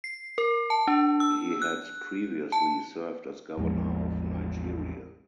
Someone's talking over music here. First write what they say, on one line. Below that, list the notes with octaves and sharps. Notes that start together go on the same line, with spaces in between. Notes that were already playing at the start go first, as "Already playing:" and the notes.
He had previously served as Governor of Nigeria.
C7
A#4
A5
D4
E6
F#6
A5
A1 E2 F3 G#3